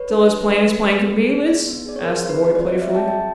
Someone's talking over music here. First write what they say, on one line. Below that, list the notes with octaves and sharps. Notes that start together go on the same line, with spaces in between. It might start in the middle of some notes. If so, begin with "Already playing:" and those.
'Still as plain as plain can be, Liz?' asked the boy playfully.
Already playing: B4 C#5
D4
D4
G4
G4
D4
B3
G#4
B3
D#4
B3
G#4 D5
C#5
C4 A#4 C5
G#4
B4
C4
F4 C5 D5
C#5 D#5
C4
D5 E5
G#4 G5 A5
F#4 G5 A5